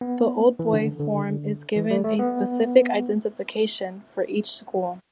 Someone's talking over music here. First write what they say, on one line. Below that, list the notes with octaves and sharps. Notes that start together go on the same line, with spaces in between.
The Old Boy form is given a specific identification for each school.
B3
E3
D3
D3
E3
G3
A3
B3